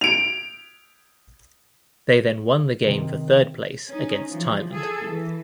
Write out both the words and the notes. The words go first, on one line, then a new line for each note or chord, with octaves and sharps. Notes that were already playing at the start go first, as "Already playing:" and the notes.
They then won the game for third place against Thailand.
D7 F7
C3 D#3
C#4 D#4
E3 F3
G#4 A4
E3